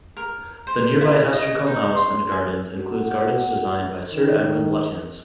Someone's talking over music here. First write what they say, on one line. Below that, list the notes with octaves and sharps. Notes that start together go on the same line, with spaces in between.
The nearby Hestercombe House and Gardens includes gardens designed by Sir Edwin Lutyens.
A#4
C5
E4
D#5
D#4
C6
G#5
F#4
D#3